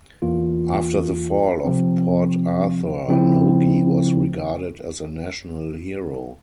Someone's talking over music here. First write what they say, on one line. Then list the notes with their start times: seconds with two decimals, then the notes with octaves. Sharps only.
After the fall of Port Arthur, Nogi was regarded as a national hero.
0.22 E2 E3 A#3 F4
1.65 C3 F3 C4
3.08 C#3 F3 C4 E4